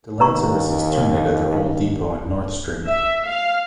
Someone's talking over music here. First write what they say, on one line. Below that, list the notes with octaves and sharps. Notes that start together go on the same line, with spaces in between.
Delaine services terminate at their old depot in "North Street".
D#2 B4 A#5 C#6
E5
F5